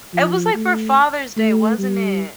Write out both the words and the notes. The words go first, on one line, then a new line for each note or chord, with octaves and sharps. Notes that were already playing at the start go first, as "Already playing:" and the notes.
it was like for Father's Day, wasn't it?
F3
A3
A3
G3